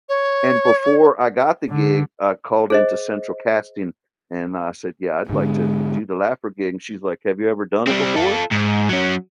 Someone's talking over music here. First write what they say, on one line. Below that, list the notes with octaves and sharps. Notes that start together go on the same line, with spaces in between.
and, before I got the gig, I called into central casting and I said, yeah, I'd like to do the laugher gig, and she's like, have you ever done it before,
C#5
D3
G#4 C5 D#5
G#2 D3 G#3
G3 C4
F4 A4
G#2
F#3 C#4